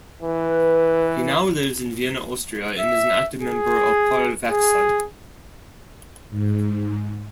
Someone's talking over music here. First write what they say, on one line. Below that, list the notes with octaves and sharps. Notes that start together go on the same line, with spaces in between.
He now lives in Vienna, Austria and is an active member of Polwechsel.
E3 B4
E5
G#4
G#4
G#2